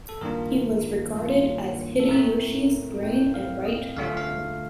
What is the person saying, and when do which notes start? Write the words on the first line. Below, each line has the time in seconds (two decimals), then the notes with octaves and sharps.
He was regarded as Hideyoshi's brain and right-arm.
0.09 A4
0.21 G2 D#3 A#3 D4 F4 A#4
1.15 G2 D#3 A#3 D4 F4
2.00 A4
2.09 A2 A3 C4 A#4
3.03 A2 A3 C4 G5
3.34 F5
3.66 D#5
3.97 D3 A3 D4 F4 F5
4.17 F5